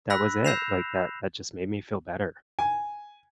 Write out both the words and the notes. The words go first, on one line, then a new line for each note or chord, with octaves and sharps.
that was it, like, that that just made me feel better.
B5 E6 F#6 A#6 B6
E6 G6 A#6 C7 E7 F7
G#5